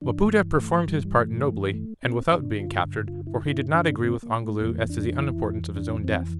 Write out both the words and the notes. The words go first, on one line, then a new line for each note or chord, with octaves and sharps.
Wapoota performed his part nobly--and without being captured, for he did not agree with Ongoloo as to the unimportance of his own death!
G2 E3 D4
A3
G3
G3
A3
A3
C4
G2 D3 D4
F4
F4
E4
E4
D4
C4
A#3
A3
F2 E3 A#3
A3
A#3
D4
D4
E4
D4
C4